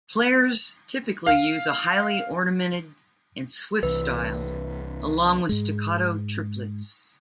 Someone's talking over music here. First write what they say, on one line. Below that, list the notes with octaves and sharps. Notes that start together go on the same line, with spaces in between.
Players typically use a highly ornamented and swift style, along with staccato triplets.
F5
C2 E3 B4
G#2 G#3